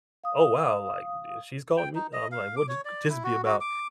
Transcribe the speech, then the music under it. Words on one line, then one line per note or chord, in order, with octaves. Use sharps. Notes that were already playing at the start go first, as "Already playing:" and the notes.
"Oh, wow." like, uh, "She's calling me?" and I'm like, "What th this be about?"
F5 D#6
G5
D#4
D#5
F5
D6
C#5
D5
E4
F#4
F#4
D6